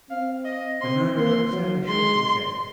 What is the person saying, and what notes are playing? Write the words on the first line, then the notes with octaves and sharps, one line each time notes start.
The murderer sadly shook his head.
C4 F5
D#5
C4 C6
A#3 C6
F#3
G#3 C6